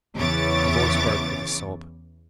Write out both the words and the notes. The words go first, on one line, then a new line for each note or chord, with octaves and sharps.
Her voice broke with a sob.
E2 C#3 E3 C#5 D6 A6